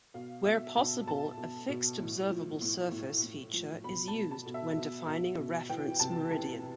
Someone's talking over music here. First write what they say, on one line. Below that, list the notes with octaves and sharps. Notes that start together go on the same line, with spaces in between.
Where possible a fixed observable surface feature is used when defining a reference meridian.
B2 F5
B2 E5
B2 A5
B2 A5
B2
B2
A2
F3
A2
A2
A2
F3
B2 B5
A5
B2
A5
B2
E5
B2
B2
B2
E3 G5
C3 A5
E3 A5